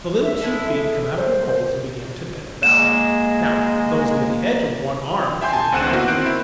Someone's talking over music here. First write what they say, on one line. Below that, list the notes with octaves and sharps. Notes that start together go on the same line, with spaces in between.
The little tube-feet come out of their holes and begin to bend about. Now those near the edge of one "arm" feel the ground.
E5
G#3 E4 A4
C5
G#3 A#3 E7
E5 G5 G#5 C6 G6
G#5 A5
D2 C4 F#5 F#6 D#7 E7
A#3 B3 E4 F#4
D#3 C4 C5 F#6 D7
E4